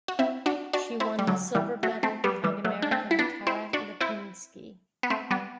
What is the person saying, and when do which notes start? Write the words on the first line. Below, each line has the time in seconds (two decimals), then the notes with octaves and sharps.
She won the silver medal behind American Tara Lipinski.
0.08 F#4
0.19 C4 E4
0.46 D4 F#4
0.73 D4 F#4
1.00 C4 E4
1.19 G3
1.27 D3 F#3
1.55 E3 G3
1.83 F#3 A3
2.03 A3 C4
2.24 G3 B3
2.44 E3 G3
2.65 F#3 A3
2.82 D4
2.91 A3 C4
3.11 E4
3.19 B3 D4
3.47 C4 E4
3.73 D4 F#4
4.01 C4 E4
5.03 B3
5.10 A3 C4
5.31 G3 B3